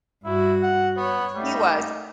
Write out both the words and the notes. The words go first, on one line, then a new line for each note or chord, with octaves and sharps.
he was.
G2 E4 F#4
F#5
B3 C#5
G3 A3 D#4